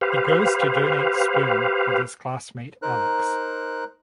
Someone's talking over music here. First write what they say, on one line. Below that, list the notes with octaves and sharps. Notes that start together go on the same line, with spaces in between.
He goes to donate sperm with his classmate Alex.
G4 B4 C5 F5
D#4 A#4 C5 F#6